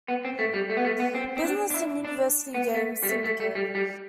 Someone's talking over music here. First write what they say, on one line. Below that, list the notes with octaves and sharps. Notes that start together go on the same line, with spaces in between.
'Business and University Games Syndicate'.
B3
C4
A3
G3
A3
B3
A3
B3
C4
C4
D4
D4
E4
D4
B3
A3
G3
A3
A3
A3
G3
G3